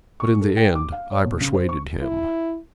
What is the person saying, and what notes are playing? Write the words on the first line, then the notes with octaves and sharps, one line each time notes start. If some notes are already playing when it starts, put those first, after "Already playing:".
But in the end I persuaded him.
C#6
A4
G5
D6
F5
C#5
B2
C#3
C5
C#6
E4